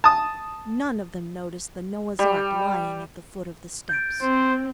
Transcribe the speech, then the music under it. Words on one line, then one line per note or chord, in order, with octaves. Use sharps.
None of them noticed the Noah's ark lying at the foot of the steps.
A5 D#6
G3
G6 A6 D7
C4 C5